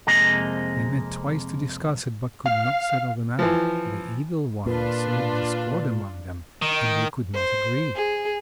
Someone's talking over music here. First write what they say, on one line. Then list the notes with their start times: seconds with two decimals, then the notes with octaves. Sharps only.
They met twice to discuss it, but could not settle the matter; the Evil One sowed discord among them, and they could not agree.
0.07 F2 C3 G#3 A#3 D#5
2.46 F5
3.39 E3 F3
4.66 A#2 D4 F4 B4
6.62 D#3
7.34 C5
7.96 G#4